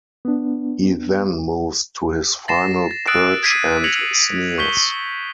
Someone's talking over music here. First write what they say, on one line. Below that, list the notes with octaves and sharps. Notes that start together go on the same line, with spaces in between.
He then moves to his final perch and sneers.
B3 D4
A6 A#6 C7 E7
A6
D#6 E6 F#6 A6 C7 D7
G#6 B6 C7 D#7
G#6 A#6 B6 C#7 F7 F#7
C#6 G6 B6 G7